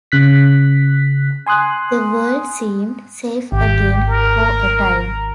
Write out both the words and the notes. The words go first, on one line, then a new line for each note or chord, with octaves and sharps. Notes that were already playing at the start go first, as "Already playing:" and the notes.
The world seemed safe again, for a time.
C#3 F#6 B6
G#5 C6 D#6 F#6
G#1 G4
A#4